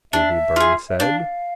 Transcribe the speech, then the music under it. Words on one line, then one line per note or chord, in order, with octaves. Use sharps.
Davy Byrne said...
D4 E5
F4 G#4
E5
D4 F5